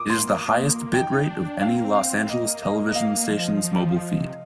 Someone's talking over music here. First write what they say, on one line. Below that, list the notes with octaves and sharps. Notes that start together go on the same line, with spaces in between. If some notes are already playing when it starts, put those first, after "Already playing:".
It is the highest bitrate of any Los Angeles television station's mobile feed.
Already playing: D6 D#6
A#3 C6
A#3
D#4 G5
D#4
D4
D4 F5
C4
A#3
C4
F5
A#3 D#5
D#5
D#5
A#3 F5
F3
F3
G3
F3
C3